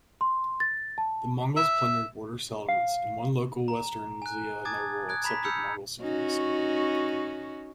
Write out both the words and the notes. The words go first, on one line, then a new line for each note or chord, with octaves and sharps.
The Mongols plundered border settlements and one local Western Xia noble accepted Mongol supremacy.
C6
A6
A5
E5
F5
A#5
G#5 F#6
G#5 A5 D6 D#6 G#6 A6
D#6 F#6 G#6 D7
A#5 B5 F#6 B6
B5 E6 F6 G6 C#7 F7
C#4 D#4 F#4